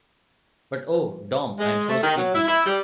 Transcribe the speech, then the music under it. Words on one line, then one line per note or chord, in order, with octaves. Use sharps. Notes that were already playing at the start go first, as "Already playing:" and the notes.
But, oh, Dom, I’m so sleepy.
G#3
A3
D#3
F#3
E4
E4
G3